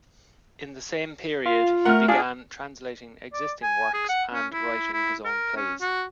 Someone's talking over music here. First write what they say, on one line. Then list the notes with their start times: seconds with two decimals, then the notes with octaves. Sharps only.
In the same period he began translating existing works and writing his own plays.
1.46 F4 F5
1.85 A3 A#4 F#5 F6
2.08 D4 F4 G#4
3.33 D5
3.63 G#5
3.94 G#4
4.09 F#5
4.34 C#4
4.53 E4
4.93 E4
5.25 A#4
5.56 C#4
5.81 F#4